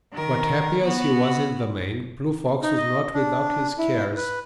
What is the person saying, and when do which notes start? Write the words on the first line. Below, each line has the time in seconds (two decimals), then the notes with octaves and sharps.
But happy as he was in the main, Blue Fox was not without his cares.
0.10 D#3 A#4
0.83 B3 F#4
2.62 D#4
2.77 D#5
3.14 D4
3.78 E4
4.17 B4